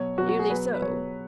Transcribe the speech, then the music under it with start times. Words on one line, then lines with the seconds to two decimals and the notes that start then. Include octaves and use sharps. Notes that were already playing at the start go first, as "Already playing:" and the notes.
"Nearly so."
Already playing: B2 F#3 C#5
0.18 B2 F#3 F#4
0.29 F#4
0.39 G#4
0.50 B2 F#3 B4
0.74 B4
0.82 B2 F#3 C#5